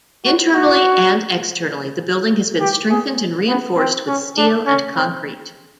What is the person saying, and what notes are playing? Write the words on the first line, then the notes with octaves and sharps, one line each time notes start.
Internally and externally the building has been strengthened with reinforced steel and concrete.
F#4
F#4
G4
G#4
B3
C4
C#4
D4
C#4
C4